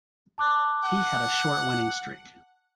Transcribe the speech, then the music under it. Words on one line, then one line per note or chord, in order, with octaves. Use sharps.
He had a short winning streak.
A5 D6 F#6
F#5